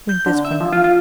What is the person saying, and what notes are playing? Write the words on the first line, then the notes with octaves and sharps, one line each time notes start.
Drink this for now.
G6
D3
E5
F3
F4
F4